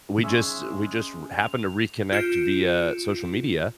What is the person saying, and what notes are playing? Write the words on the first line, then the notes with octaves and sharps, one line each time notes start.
We just we just r happened to reconnect via social media,
G#3 C#4 E5
F7
F4 G6 C#7 D7 E7